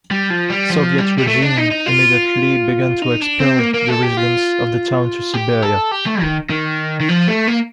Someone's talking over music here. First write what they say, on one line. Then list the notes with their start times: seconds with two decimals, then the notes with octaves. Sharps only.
Soviet regime immediately began to expel the residents of the town to Siberia.
0.11 G3
0.31 F3
0.50 G3
0.70 F3
0.98 G3
1.18 G3
1.27 A3
1.42 D4
1.57 D#4
1.71 D#4
1.86 F4
3.02 D#4
3.21 D4
3.40 C4
3.59 A#3
3.74 A#3
3.89 A4
4.03 G4
4.17 F4
5.34 G4
5.62 A4
5.91 G4
6.06 A3
6.22 D#3
6.50 D#3
7.00 D#3
7.08 F3
7.28 A3
7.47 A#3